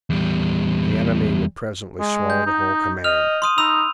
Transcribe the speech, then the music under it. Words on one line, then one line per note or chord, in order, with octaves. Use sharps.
The enemy would presently swallow the whole command.
E2 G3
G#3
G6
D#4
D#5 F6 F7
C6 D#6 D#7
D#4 B5 E6 F7